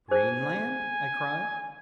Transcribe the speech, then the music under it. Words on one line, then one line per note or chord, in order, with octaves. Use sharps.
"Greenland?" I cried.
D#4 G#4 C5 G#5